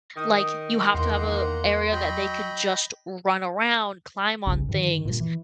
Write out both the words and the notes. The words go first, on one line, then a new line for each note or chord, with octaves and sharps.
like, you have to have a area that they can just run around, climb on things.
D#3 D#6
E2 A#3 F#5 A#5 C6
F#3 D#5 G5 B5
G1 C2 G2 C#3
G2 D3 D#3
G2 A#2
E3